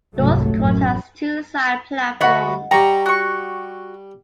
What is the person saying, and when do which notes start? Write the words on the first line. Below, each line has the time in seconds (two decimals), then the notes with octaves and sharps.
Northcote has two side platforms.
0.14 F1 C2 G#2 F#3 A3
0.55 A1 F#2
2.21 D2 F#4 D#5 F#5 B5 C#6
2.71 G3 G4 G5 A#5 C#6
3.06 F#4 C#6